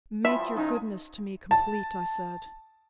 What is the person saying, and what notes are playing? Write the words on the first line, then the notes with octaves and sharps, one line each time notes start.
"Make your goodness to me complete," I said.
E3 F3 G3 E5
C#3 F3 D#4 G#4
A5